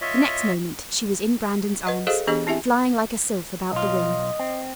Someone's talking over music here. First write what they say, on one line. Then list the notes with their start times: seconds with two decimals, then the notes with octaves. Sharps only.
The next moment she was in Brandon's arms, flying like a sylph about the room.
0.01 F4 C#5 D#5 E5
1.85 B4 D#5 F#5
2.07 F#4 G#4 A4 C5 D#5 F5
2.27 E3 B3 D4 G4 G#4 D#5
2.47 C4 E4 G4 E5 G#5
3.72 B1 F4 D#5
4.39 C4